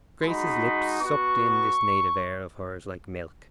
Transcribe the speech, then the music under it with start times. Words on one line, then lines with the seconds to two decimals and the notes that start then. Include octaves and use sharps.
Grace's lips sucked in this native air of hers like milk.
0.24 G#3 D#4 F#4 B5
1.01 B3 F#4 C#6